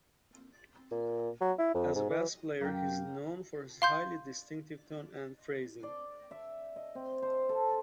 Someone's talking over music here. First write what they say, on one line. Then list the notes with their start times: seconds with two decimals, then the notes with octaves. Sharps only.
As a bass player, he is known for his highly distinctive tone and phrasing.
0.91 A#2
1.41 F#3
1.59 E4
1.75 F2
1.95 G#2
2.10 E3
2.61 F#2 A#3 G5
3.82 F5 C6 G6
5.83 D5
6.31 E5
6.76 D#5
6.95 C4
7.22 C5
7.49 A4